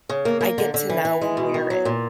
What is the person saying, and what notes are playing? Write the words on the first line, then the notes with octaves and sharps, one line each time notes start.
I get to now wear it.
C#3
A#3
A#3
D3
D3
E3
E3
G#3
B2
D#3
F#3
A#2